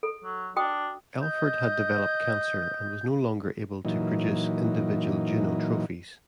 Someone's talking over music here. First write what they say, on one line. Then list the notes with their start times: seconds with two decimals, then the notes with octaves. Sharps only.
Elford had developed cancer and was no longer able to produce individual Juno trophies.
0.03 A4
0.24 F#3
0.56 D4 F#4 G5 D#6
1.22 D#5 G6
3.85 A#2 E3 F#3 D#4